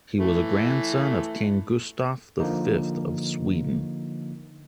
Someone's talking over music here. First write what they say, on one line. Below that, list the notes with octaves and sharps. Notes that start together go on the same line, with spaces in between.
He was a grandson of King Gustaf the Fifth of Sweden.
E3 A3
D3 F3 A#3 D#4